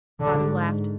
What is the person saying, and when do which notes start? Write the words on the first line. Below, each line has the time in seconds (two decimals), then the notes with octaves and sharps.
Bobby laughed.
0.21 G#2 D3